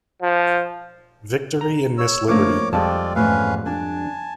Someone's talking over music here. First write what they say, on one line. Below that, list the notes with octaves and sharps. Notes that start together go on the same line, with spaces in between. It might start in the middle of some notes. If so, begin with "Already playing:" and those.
Victory and Miss Liberty.
F3
A#5
C#5 E6
D3 F3 A3 A#3 D4 C#5 D6
F2 G3 G#3 C4 F4 D5 A5
E2 G#2 A3 C#4 B4 F5
D4 G#5 A5